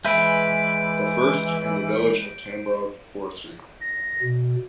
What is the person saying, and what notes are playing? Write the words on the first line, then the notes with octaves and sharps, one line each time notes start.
The first - in the village of Tambov Forestry.
E3 G#3 B4 E5 G6 D7
A#6
B2